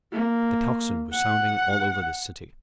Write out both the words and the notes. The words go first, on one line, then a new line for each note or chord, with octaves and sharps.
The tocsin was sounding all over the city.
A#3
F#5